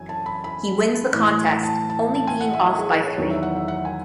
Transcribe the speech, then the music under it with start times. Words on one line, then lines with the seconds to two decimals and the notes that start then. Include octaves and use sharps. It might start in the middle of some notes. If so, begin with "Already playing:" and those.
He wins the contest, only being off by three.
Already playing: F#2 E3 G#5
0.09 A5
0.26 B5
0.44 B5
1.12 A2 E3
1.63 A5
1.90 A5
2.15 A5
2.27 G#5
2.41 F#5
2.54 E5
2.66 D#5
2.78 G#4
2.91 B4
3.04 C#5
3.18 E2 D#3 F#3
3.30 E5
3.43 F#5
3.56 E5
3.68 F#5
3.85 G#5